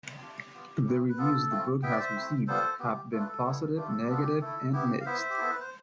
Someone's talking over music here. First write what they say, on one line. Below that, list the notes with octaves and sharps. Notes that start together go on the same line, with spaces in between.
The reviews the book has received have been positive, negative, and mixed.
A3 D4 F4 G4
B3 F4
A3 C4 E4
B4
B3 F4 A4
A3 C4 F4
B3 E4 E5 G5
D5
C5 E5
A3 C4 E4
G3 B3 F4 A4 C5
B3 F4 G4
A3 D4 F4 A4
B4
A4
G3 B3 E4
A3 D4 F4 G4
A4
G4
B3 D4 F4 A4
G4
A3 E4 A4
B3 E4 G4
F5
B3 E4 C5 E5
G4
B3 E4 A4
B4
C5